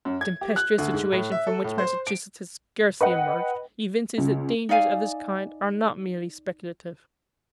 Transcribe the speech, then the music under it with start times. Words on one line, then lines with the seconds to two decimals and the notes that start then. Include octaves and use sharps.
The tempestuous situation from which Massachusetts has scarcely emerged, evinces that dangers of this kind are not merely speculative.
0.05 F#2
0.21 G#6
0.41 G4
0.56 F#6
0.78 D2
0.94 G#2
1.12 A2
1.32 E5
1.47 A4
1.64 A2
1.78 C5
2.07 D7
3.01 B4 D#5 F#5 G5
4.18 C#2
4.69 D#4 D5 F5 G#5